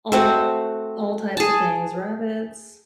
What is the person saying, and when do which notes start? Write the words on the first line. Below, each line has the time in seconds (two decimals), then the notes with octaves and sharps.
all all types of things, rabbits,
0.12 A3 C4 F#4
1.37 G#4 A5